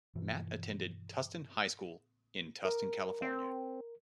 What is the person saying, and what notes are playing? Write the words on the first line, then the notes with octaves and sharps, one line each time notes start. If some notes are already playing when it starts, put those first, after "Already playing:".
Matt attended Tustin High School in Tustin, California.
G2 B2 E3 F3
A#4
C4